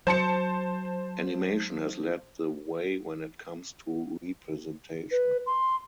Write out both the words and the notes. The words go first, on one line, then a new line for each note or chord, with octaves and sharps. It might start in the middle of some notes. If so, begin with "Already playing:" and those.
Animation has led the way when it comes to representation.
F#3 C5 A5 C#7
B4
C6